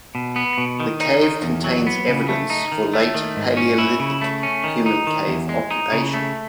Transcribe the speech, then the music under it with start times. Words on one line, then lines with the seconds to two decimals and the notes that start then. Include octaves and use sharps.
The cave contains evidence for late Paleolithic human cave occupation.
0.15 B2
0.36 B3
0.58 B2
0.80 D#3
1.01 D#4
1.22 D#3
1.43 E2
1.64 F#3
1.87 B3
2.08 C#3
2.29 A3
2.50 D#4
2.72 D#3
2.94 A3
3.14 D#3
3.36 G#2
3.57 C#4
3.78 E4
3.99 C#3
4.21 A3
4.43 C#4
4.64 D#3
4.86 D#4
5.07 D#3
5.28 E2
5.49 G#3
5.71 D#4
5.92 C#3
6.13 A3